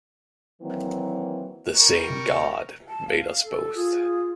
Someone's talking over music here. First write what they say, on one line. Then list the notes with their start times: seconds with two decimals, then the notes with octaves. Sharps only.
The same god made us both.
0.62 D#3 E3 F#3 A#3 C4 E4
1.77 G3 A#4 C#6
2.10 C3
2.88 A5
3.08 F5
3.44 A4
3.75 F4 G#4